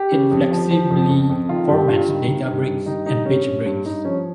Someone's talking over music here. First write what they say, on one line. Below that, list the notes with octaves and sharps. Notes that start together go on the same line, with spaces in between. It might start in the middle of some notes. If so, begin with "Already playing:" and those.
It flexibly formats data breaks and page breaks.
Already playing: G4
C#3
F2
F3
F3
F2
F2
F2
D#3 F4
G2 G4
G4
G2 F4
D#3
D#3
G2
G2
D#3 D#4
G2 D#4
G2 C#4
G2
G2
G2 D#4
F3 C#4